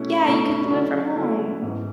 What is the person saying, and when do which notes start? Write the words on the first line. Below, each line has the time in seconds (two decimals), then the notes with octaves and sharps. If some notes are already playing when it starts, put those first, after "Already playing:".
Yeah, you could do it from home.
Already playing: B2 A3 C#4 E4
0.23 B2 A3 C#4 E4
0.69 D3 F#3 C#4 E4
1.16 D3 F#3 C#4 E4
1.62 G#2 E3 B3